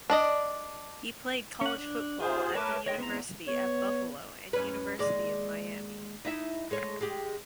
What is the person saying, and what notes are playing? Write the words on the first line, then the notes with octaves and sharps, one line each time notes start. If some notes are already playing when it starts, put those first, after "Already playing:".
He played college football at the University at Buffalo and University of Miami.
D4 D5 D#5
C#4 F#5
D4
D#2 F4 G#4 C5
A3 A#4 B4 C#5 A5 D6
D#3 G#3 C#5 D#5 G5
E2 B3 C4 A#5
B3 C#5
F#2 C#4 B4
D#2 G#3 D5
D#4 E4 E5
G#3 A4 C#5
G#3 G4